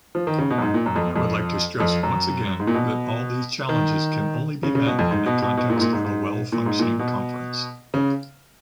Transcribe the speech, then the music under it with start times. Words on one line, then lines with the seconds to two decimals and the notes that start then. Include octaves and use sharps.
I would like to stress once again that all these challenges can only be met in the context of a well-functioning Conference.
0.15 F3
0.27 D#3
0.38 C#3
0.50 B2
0.58 F#2
0.62 G#2
0.74 A#2
0.86 F#2
0.96 F2
1.16 F2
1.80 F2
2.03 F#2
2.60 G#2
2.67 A#2
2.74 B2
3.69 D#3
4.63 C#3
4.75 C#3
4.87 B2
4.99 F2
5.11 G#2
5.26 B2
5.42 B2
5.57 B2
5.70 A#2
5.76 G#2
5.81 A#2
5.93 G#2
6.05 G#2
6.52 A#2
6.66 G#2
6.79 A#2
6.99 B2
7.94 C#3